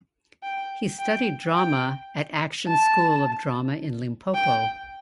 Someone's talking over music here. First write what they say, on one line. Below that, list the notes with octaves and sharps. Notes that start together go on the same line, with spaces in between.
He studied drama at Action School of Drama in Limpopo.
G5
G5
G5
A5
G5